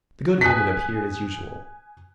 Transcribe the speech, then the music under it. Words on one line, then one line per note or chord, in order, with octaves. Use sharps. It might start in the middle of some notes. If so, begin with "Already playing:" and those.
The good woman appeared as usual.
G#5 D#6 F#6 B6